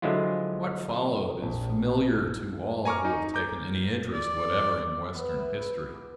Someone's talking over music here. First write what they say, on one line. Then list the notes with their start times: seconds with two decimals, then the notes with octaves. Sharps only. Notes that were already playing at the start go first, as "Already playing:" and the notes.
What followed is familiar to all who have taken any interest whatever in Western history.
0.02 D3 F3 F#3 G#3 E4 F4
1.42 A#1
2.85 G#5 A#5 C#6 D6 F6
3.05 D#4
3.34 A#5 D6 G6
4.12 D5
5.14 B3
5.28 E5
5.40 B4
5.61 B4
5.94 D6